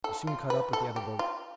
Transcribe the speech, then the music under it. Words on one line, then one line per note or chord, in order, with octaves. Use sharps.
We soon caught up with the other boat.
A4
F4
B4
A4
G4
F4